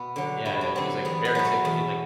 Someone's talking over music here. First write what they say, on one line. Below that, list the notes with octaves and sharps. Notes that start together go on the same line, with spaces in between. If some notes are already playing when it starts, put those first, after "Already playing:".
Yeah, yeah. She's like, very sick and she's like
Already playing: B2 B3
D3 F#3
G2 E4
D4
D3 F#3 C4
E2 B3
B3
B2 F#3
A3
E2